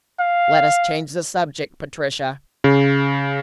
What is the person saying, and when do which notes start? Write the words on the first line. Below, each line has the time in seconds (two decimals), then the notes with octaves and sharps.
"Let us change the subject, Patricia."
0.19 F5
2.64 C#3